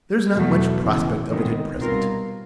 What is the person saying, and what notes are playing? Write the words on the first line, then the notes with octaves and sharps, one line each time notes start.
There is not much prospect of it at present.
E2 B2 F#3 A3
E2 C#3 E3 G#3
C3 D#3 G#3 B3
B2 G3 C4 F4 A#4